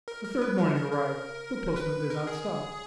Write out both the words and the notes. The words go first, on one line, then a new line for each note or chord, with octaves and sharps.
The third morning arrived; the postman did not stop.
A#4
A#4
B4
A#4
A#4
A#4
B4
A#4
G#4